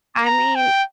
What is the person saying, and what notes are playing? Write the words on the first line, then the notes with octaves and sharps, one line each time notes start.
I mean,
A#5
G5